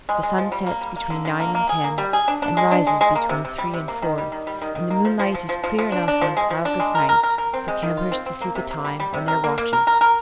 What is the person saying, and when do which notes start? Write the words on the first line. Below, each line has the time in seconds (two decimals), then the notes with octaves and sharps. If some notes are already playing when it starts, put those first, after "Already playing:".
The sun sets between nine and ten, and rises between three and four, and the moonlight is clear enough on cloudless nights for campers to see the time on their watches.
0.09 G#3
0.23 G#3
0.38 F3
0.52 G3
0.66 A#3
0.81 G3
0.96 A#3
1.10 D3
1.25 D3
1.40 A#3
1.55 A#3
1.69 G#4
1.84 A#3
1.98 G3
2.13 G#4
2.28 D4
2.42 D4
2.57 G#3
2.72 D4
2.87 G#3
3.01 G#3
3.15 A#3
3.29 C3
3.45 C3
3.58 G3
3.74 C3
3.88 A#3
4.02 D#3
4.18 G3
4.32 D#3
4.47 G3
4.62 D#3
4.75 D#3
4.90 A#3
5.05 F3
5.19 F3
5.34 F3
5.49 F3
5.64 F3
5.78 F3
5.92 D4
6.08 D4
6.21 F3
6.37 G#3
6.50 F3
6.65 D4
6.80 G#3
6.95 A#4
7.09 A#4
7.23 A#4
7.38 A#4
7.53 C4
7.68 G#3
7.83 D#3
7.97 F4
8.12 C4
8.26 C4
8.41 A#3
8.55 C3
8.71 A#3
8.84 G3
9.00 G3
9.14 C3
9.28 A#4
9.44 A#3
9.58 A#3
9.73 A#4
9.87 A#4
10.01 A#4